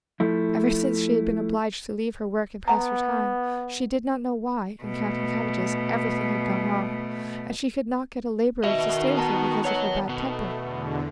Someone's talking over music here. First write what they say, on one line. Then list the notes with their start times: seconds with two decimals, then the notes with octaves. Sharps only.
Ever since she had been obliged to leave her work and pass her time, she did not know why, in counting cabbages, everything had gone wrong, and she could not get a labourer to stay with her because of her bad temper.
0.20 F3 A3 E4
2.68 B3 F#5 A#5
4.83 B2 A3
8.64 D#3 B3 F#4 D#5 E5
9.17 A5 A#5
9.65 C#5 F#5
10.09 B2 A3
10.56 E2 D3